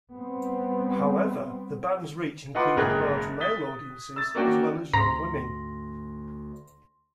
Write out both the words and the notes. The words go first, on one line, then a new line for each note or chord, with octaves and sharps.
However, the band's reach included large male audiences as well as young women.
G3 B3 C4
D#4 F4 B4 F#5 C6 D6
F#1 G#2 G#4 A#4 G5 F#6
D#6 A6 B6 G7
E6 A6
A#3 C#4 D4 F#4 A#4 G5
D2 G#2 A#5 C6 A#6